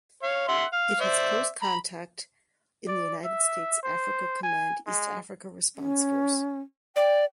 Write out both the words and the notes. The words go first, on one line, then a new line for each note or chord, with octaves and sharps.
It has close contact in the United States Africa Command East Africa Response Force.
C#5 F5
E5 F#5 C6
F5
C5 D5 E5
A#5 B5
D5
E5
C5
G#5
G#3
C#4
D5 G5